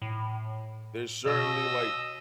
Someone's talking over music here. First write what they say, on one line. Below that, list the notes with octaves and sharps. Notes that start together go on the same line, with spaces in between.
there's certainly, like,
A2
B2 D#5 E6